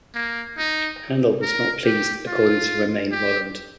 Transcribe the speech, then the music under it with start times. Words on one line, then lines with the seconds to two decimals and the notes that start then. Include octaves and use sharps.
Handel was not pleased, according to Romain Rolland.
0.15 A#3
0.58 D#4
1.42 A#4
1.85 G4
2.27 F4
3.12 G4